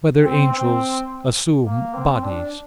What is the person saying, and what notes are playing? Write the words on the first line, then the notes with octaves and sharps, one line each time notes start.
Whether Angels Assume Bodies?
C4
C4
A#3
C4
D4